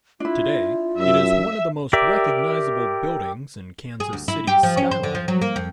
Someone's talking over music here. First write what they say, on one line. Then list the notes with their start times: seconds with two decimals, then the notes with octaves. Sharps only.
Today, it is one of the most recognizable buildings in Kansas City's skyline.
0.20 D4 E4 F4
0.98 F#2 E5
1.93 G4 A#4 D5 E5
4.00 G#4
4.13 D2
4.28 E4
4.47 G4
4.63 F3
4.77 C#4
4.91 C5
5.03 D3
5.15 F3
5.28 F#3
5.41 A#3
5.56 F2